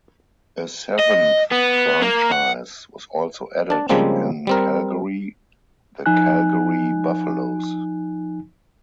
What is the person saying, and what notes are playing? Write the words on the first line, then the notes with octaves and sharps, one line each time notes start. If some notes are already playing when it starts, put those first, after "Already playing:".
A seventh franchise was also added in Calgary, the Calgary Buffaloes.
D#5
B3
A#3
F#5
D4 A5
C#3 F3 G3 G#3 A#3 C4
G3 C4 A#4
F3 D#4 G#5 F#6